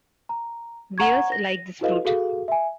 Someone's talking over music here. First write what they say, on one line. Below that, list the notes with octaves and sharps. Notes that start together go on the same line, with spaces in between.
Bears like this fruit.
A#5
F#5 A#5 C#6 G#6
A#6
E4 F#4 A4 B4 D#5 F5
F#4 G#4 A4 F5
E5 G#5